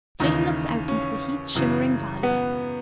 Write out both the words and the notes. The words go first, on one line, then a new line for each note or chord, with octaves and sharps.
Jane looked out into the heat-shimmering valley.
D#2 C#3 E3 D#4
C#4
F#2 C#3 E3
B3